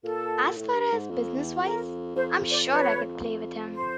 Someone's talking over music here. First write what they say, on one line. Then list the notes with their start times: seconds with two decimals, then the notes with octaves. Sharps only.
As far as business-wise, I'm sure I could play with him.
0.04 A#2 A4
0.57 A2
0.74 G2
0.92 G#2
1.10 F2
1.36 E2
1.63 F2 A#4
2.16 F2 C5
2.50 C5 D5
2.68 B4 C#5
3.74 C5